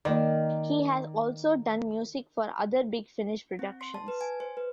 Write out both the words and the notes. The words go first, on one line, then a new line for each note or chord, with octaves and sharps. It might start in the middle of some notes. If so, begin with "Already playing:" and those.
He has also done music for other Big Finish productions.
D#3 A#3 D5
C4
C6
A5
B4
G#5
C5
B4